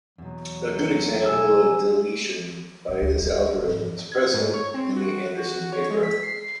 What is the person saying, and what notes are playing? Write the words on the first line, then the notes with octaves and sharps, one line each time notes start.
A good example of deletion by this algorithm is present in the Andersson paper.
E2 B2 F#3
B2 F#3 G4 G#4 G#5 E6
A1
D2 C4
D2 G3
C#4
D1 G#1
G#2 C3
G#6
G#2
C#5
C4
F#4
F#4
C#5
G#3
B6
C7